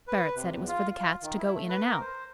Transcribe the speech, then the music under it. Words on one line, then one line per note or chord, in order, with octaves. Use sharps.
Barrett said it was for the Cats to go in and out.
B4
C3
E2
F4
F4
D#3
E4
A3
B4
A#4
C5